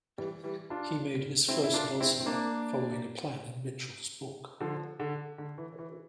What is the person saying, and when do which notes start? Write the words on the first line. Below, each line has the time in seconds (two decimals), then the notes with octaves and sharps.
He made his first dulcimer following a plan in Mitchell's book.
0.18 E3 G3
0.44 E3 G3
0.70 D4 F4
1.48 C4 E4
1.64 E4
1.74 D4 F4
2.00 C4 E4
2.20 C4
2.26 A#3 D4
4.61 D3 F3
5.00 D3
5.38 D3
5.58 E3
5.79 E3